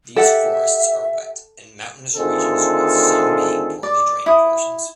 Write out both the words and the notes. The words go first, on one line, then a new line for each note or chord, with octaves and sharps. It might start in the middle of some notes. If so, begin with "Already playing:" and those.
These forests are wet and mountainous regions with some being poorly drained portions.
G4 A4 E5 F#5
D2 D#3 C4 F4 G#4 A4
D5
E4 D#6